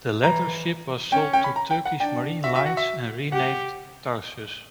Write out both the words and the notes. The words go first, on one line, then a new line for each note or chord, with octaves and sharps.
The latter ship was sold to Turkish Maritime Lines and renamed "Tarsus".
E3 A#5
C#4 G5
G5
B5
A#5
G5
F#5
D4 G5
F#4 E5
E5
F#5
E5
G4 F#5